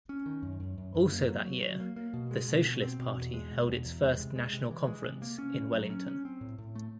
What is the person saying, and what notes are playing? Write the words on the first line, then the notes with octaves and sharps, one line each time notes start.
Also that year the Socialist Party held its first national conference in Wellington.
C#4
D#3
F#2
F#2
F#2
F#2
A#3
F#3
F#3
F#3
A#3
A#3
B2
G#3
B2
B2
C4
B2
E2
G#3
B2
E2
E2
G#3
C3
G#3
C3
E3
G#3
C3
A#3
C#4
A#2
F#3
C#4
C#4
C4
A2
A2
A3